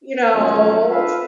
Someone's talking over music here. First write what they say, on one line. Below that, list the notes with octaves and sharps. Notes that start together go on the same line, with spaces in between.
you know
A#2 D#3 F3 F#3 C#4
C4 F4 A4 B4 E5 F5